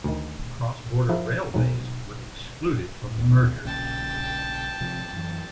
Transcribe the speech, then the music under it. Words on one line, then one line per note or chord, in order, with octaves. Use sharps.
Cross-border railways were excluded from the mergers.
D2 D#3
F3 E4 A#4
B1 G#2 F#3
D1 D#2 B2
A#1 C#3 G5 A5
G#1 C3 F3
F#2 E3